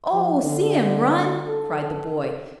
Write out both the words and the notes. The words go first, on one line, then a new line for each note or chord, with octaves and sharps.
"Oh, see him run!" cried the boy.
F3
D3
A4